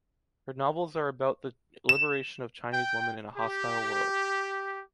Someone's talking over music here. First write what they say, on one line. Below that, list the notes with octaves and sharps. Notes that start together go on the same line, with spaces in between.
Her novels are about the liberation of Chinese women in a hostile world.
E7
G5
G4